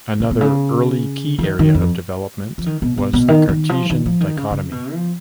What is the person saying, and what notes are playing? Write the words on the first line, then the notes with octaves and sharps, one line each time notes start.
Another early key area of development was the Cartesian Dichotomy.
C#3
B2
C#3
F3
D#3
D#3
F2
F3
D#3
B2
B2
B2
D#3
D#3
F3
D#3
F3
D#3
C#3
C#3
B2
F3